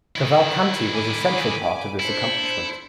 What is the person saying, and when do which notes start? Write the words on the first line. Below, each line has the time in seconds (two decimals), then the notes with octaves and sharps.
Cavalcanti was a central part of this accomplishment.
0.16 D#3 E4
0.92 G#5 B5 D6
1.99 D4 E4 C5 C#7